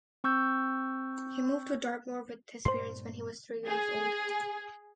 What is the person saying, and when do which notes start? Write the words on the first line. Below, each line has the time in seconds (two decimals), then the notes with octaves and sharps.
He moved to Dartmoor with his parents when he was three years old.
0.24 C4 C#6 E6 G6
2.65 G2 A#2 A3 C5 C6
3.67 G#4